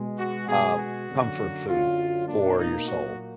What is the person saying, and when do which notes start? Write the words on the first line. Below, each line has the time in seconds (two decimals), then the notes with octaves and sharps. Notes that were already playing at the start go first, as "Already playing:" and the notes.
uh, comfort food for your soul.
Already playing: B2 G#3
0.18 F#4
0.48 B2 G#3 G#4
0.78 F#4
1.09 F#2 D3 F#3 A#3
1.69 F#2 D3 F#3 F4
2.28 B2 A#3 D4
2.58 D#4
2.87 A#2 F#3 A#3 F#4